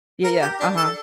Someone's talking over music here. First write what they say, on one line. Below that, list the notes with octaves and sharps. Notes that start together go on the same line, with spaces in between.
Yeah, yeah. Uh-huh.
A#4
G4
D4
A4